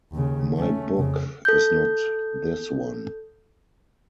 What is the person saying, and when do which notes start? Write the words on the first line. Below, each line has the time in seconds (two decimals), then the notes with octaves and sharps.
My book is not this one.
0.12 D#2 C#3
0.56 A3 C#4
0.96 F2 C#3
1.45 A4 G6